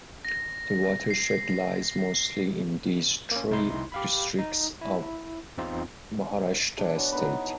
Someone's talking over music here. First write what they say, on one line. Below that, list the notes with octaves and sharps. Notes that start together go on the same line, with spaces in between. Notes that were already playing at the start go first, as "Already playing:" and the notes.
The watershed lies mostly in these three districts of Maharashtra state.
A#6
C7
A#3 C#4
C2 D#4 E4 C6
G4 F5 B5
D#4
E4
E2 C4 D#4 F4
D4 E4 C#5
E3 B3 F#4
B3 D#4 B4
A5